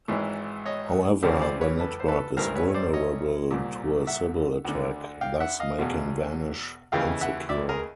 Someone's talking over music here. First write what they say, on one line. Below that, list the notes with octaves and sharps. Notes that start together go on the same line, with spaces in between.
However, the network is vulnerable to a Sybil attack, thus making Vanish insecure.
G#1 G#2 E3
C#5 D#5
C#2 C#3 E3 C5 D5
C5 D5
B4 C#5
A4 B4
C5
A4 B4
A1 G2 E3 A#4 C5
B4 C#5
C#5
C5 D5
C#5 D#5
C2 A#2
E5 F#5
D2 D3
F5 G5
E5 F#5
D#5 F5
E2 B2
D#2 C#3 E3 F5 G5
E5 F#5
D5 E5
G#4 A#4